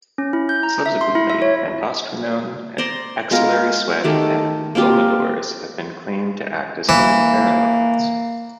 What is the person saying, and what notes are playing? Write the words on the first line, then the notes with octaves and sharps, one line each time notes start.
Subsequently, androstenone, axillary sweat, and "vomodors" have been claimed to act as human pheromones.
C#4
E4
G6
A#5
E5
C6
E4
E5
C#5
C5 D5 A#5 C6
G#3 B3 F4 A#4
D#3 A3 G4
A#3 C4 F4 G4
E3 A#3